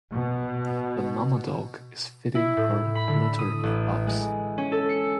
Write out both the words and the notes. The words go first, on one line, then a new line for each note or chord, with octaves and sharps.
The momma dog is feeding her litter of pups.
B2
E4
A2
B5
D3
D#6
A1
G#3
C#4
A4
C#7